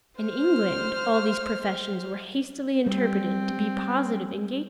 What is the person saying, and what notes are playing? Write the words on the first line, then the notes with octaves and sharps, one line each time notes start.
In England, all these professions were hastily interpreted to be positive engagements.
C5 F6
G3 C4